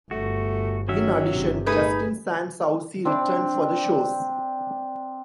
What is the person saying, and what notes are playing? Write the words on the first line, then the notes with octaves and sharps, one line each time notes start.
In addition, Justin San Souci returned for the shows.
G1 A3 F#4
D#3 F#3 C#4 E5
G1 C3
A3 D#4 G#4 B4
C4 D4 B5 D6